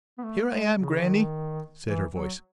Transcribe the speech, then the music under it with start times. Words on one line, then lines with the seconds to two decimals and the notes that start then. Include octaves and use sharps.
"Here I am, grannie," said her voice.
0.18 B3
0.24 A3
0.50 G#3
0.78 C#3
0.99 E3
1.05 D#3
1.86 E3
2.12 F#3